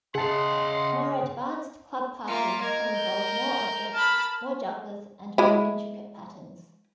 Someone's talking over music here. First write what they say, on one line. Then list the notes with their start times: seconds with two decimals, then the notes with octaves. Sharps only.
More advanced club passing can involve more objects, more jugglers and more intricate patterns.
0.15 C#3 G#4 D#5 F5 F#5 A5 C6
2.28 A#3 F4 E5 A#5
2.63 A#4 D#5 G#6
2.95 G6
3.94 A5 B5 F6
5.38 G#3 E4